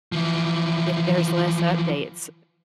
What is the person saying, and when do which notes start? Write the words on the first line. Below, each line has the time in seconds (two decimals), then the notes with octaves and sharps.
if there's less updates,
0.12 E3 F3